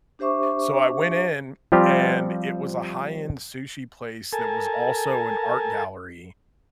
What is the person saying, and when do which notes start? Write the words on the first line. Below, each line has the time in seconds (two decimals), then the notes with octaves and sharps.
so, I went in, and it was a high-end sushi place that was also an art gallery,
0.19 D4 G4 C5 E5 C#6 D6
1.72 F3 G3 C4 F4 G4
4.33 A4 A#4 G#5 A5